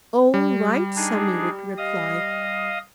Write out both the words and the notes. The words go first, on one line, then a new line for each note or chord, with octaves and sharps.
"All right," Sammy would reply.
G3
D4 D#4 G#4
D#5 F5 D#6